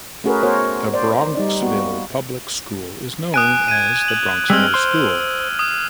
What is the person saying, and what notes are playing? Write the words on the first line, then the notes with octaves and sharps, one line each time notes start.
The Bronxville Public School is known as The Bronxville School.
A3 C#4 F#4 G#4 A#4 B4
B3 F#4 A#4 C5 C#5
C5 D5
G3 D#4 D5
A#3 B3 F#4
G#5 D#6 F#6 D7
G#6 D#7
F#7
G3 G#3 C4 E6 F6
C5 C6
D#6